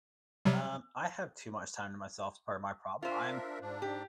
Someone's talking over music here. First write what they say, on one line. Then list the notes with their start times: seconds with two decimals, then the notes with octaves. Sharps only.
Um, I have too much time to myself is part of my problem, I'm
0.45 C3 F#3 G3
3.02 D4 F4 A#4 C5 E5
3.61 G#2 D4
3.82 G4